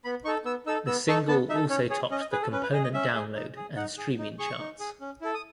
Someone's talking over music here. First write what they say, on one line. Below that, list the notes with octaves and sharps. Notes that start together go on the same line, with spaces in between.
The single also topped the component Download and Streaming charts.
B3 B5
D#4 A4 C#6
B3 E6
D#4 A4 E6
B3 E6
D#4 A4 C#6
B3 A5
D#4 A4 E5
C#4 C#5
G#4 C#5
C#4 D#5
D#5
G#4 B4
A4
C#4 B4
B4
G#4 D#5
D#5
C#4 E5
G#4
D#4
G#4
D#4 F#5
G#4
D#4
G#4 C#6
D#4
G#4
C#4
E4 A4
D#6